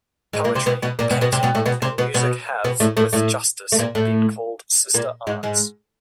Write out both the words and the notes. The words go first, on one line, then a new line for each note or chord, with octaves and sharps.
Poetry, painting, and music have, with justice, been called sister arts.
G#2 G#3
A#2 A#3
C3 C4
B2 B3
B2 B3
A#2 A#3
B2 B3
B2 B3
C3 C4
B2 B3
A2 A3
B2 B3
C3 C4
B2 B3
B2 B3
B2 B3
A2 A3
A2 A3
A2 A3
A3
A#2 A#3
A2 A3
A#2 A#3
G#2 G#3
G#2 G#3